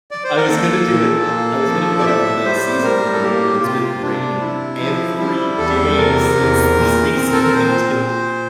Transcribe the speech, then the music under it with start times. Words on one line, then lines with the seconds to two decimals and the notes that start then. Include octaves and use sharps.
I was gonna do it Eh, I was gonna do it after the season ended, but it's been raining every day since the season ended.
0.11 D5
0.24 C5
0.36 A#4
0.49 A#3 A4
0.88 A#2
1.27 A#3
1.67 F3
1.99 D5
2.05 A2 E5
2.44 G3 C5
2.84 A2 A#4
3.13 A4
3.23 A#3 G4
3.62 C3 F4
3.73 G4
3.84 F4
4.01 C3 D4
4.40 C3 E4
4.80 F3
5.18 G3 E4
5.58 E2 A4
5.97 C3 A#4
6.36 E2
6.75 A#2
7.15 C4
7.32 A4
7.43 A#4
7.54 A#2 C5
7.93 A#2